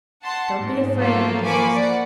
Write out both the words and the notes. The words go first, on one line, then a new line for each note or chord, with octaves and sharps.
Don't be afraid, my dearest.
F#5 A5 C6
G#2
F#3 A3 A#3 F4 A4
F3 A#3 G#5 B5 C#6 D6
D5 F#5